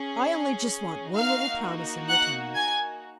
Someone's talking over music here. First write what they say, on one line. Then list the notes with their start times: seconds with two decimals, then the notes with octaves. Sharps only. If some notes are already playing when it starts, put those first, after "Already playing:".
"I only just want one little promise in return."
Already playing: C#4 G#4
1.15 A#3 D#4 F#4 F5 F6
2.08 F#5 F#6
2.55 G#5 G#6